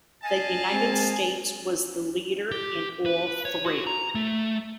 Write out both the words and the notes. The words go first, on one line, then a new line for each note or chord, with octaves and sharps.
The United States was the leader in all three.
D#5 F5 G#5 A5
G#3 C4
G4
B4
C#5
F#4
A#5
A3